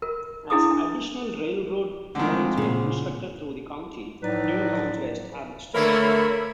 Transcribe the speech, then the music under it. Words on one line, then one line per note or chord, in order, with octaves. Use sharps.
As additional railroad lines were constructed through the county, new towns were established.
A#4
D4 E4 G#4 D6 D#6
D4
A2 D3 D#3 F3 G#3 C4
A#2 C#3
A2 F3 F#3 D#4 B4 D5
D3 A3 A#3 A#4 B4 C#5 E5 B5